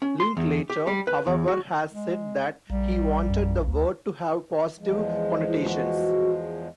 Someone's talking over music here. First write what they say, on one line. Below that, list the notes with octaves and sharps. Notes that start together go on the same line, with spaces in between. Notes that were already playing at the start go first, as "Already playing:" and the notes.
Linklater, however, has said that he wanted the word to have positive connotations.
C#4
C6
E2
G4
G3
B4
E2
F#4
G#3
A#1 G3
F#2
D2
E2 F3 G#3
E4
F#4